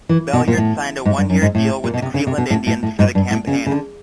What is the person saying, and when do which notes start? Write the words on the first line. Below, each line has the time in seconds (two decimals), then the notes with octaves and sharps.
Belliard signed a one-year deal with the Cleveland Indians for the campaign.
0.09 E3
0.33 B2
0.48 A#2
0.57 A2
1.05 G#2
1.18 G2
1.30 F#2
1.42 G#2
1.55 A2
1.84 A#2
1.94 B2
2.02 C3
2.14 C#3
2.27 C3
2.38 B2
2.50 A2
2.67 A2
2.83 A2
2.99 G#2
3.15 G2
3.31 A2
3.47 C#3
3.66 C#3
3.71 D3